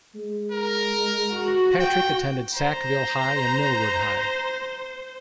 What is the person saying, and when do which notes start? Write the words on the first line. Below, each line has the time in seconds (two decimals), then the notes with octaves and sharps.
Patrick attended Sackville High and Millwood High.
0.15 G#3
0.51 A#4
1.31 F#4
1.80 G5
2.55 C5 A#5